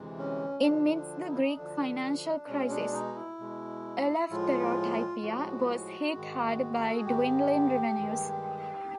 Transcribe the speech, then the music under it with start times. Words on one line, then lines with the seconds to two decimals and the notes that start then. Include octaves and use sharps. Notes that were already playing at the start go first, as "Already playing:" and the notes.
Inmidst the Greek financial crisis, "Eleftherotypia" was hit hard by dwindling revenues.
Already playing: D2 C3 E3 G#3
0.18 C#4
0.63 D2 D3 F3 D4
0.94 D4
1.24 D#4
1.31 E4
1.39 D#4
1.55 D2 D3 F3 D4
2.47 B2 G#3 C#4
2.70 D4
2.93 D#4
3.15 E4
3.39 B2 G#3
4.30 A2 F3 G#3 F4
5.22 A2 F3 G#3 F#4
6.14 G#2 D#3 G#3
6.77 A#4
6.87 A4
6.96 G#4
7.05 G#2 D#3 G#3 G4
7.98 G2 D#3 G#3